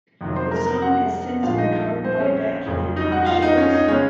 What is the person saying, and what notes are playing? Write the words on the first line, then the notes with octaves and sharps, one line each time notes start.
The song has since been covered by Beck in live shows.
F2 C3 D#3 F#3
C5 C6
A#4 A#5
A#4 A#5
F#4 F#5
A#1 A#2 F3 G#3 F4 F5
D#4 D#5
C4 C5
C#4 C#5
F#1 F2 C#3
D#4 D#5
F#4 F#5
F4 F5
D#4 D#5
C#4 C#5
D#4 D#5
C#3 G#3 C#4 C#5